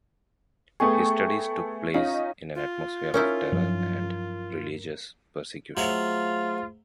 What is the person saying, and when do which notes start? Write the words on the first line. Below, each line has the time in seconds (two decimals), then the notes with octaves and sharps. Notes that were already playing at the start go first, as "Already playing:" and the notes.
His studies took place in an atmosphere of terror and religious persecution.
0.80 A3 B3 G#4 A4 G5 C#6
1.94 C#4 D#4 F4 F5
2.55 F4
3.14 C#4 D#4 E4 A#4
3.52 G2 F3 F#3
5.77 F#3 A3 F4 G#4 C5 E5 F5